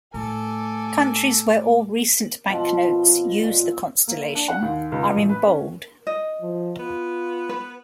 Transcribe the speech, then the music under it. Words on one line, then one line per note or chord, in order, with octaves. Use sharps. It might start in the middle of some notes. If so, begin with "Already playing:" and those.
Countries where all recent banknotes use the constellation are in bold.
A2 A4 G#5 D6
B2 F3
A#2
A#3
D4
F#5
D#2
C#2
A1
B4
C#4
D#5
F3
B3 F4
B4